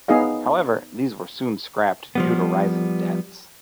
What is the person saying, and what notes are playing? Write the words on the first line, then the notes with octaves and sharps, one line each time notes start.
However, these were soon scrapped due to rising debts.
B3 D#4 G#4 D#5 F5
F3 G3 B3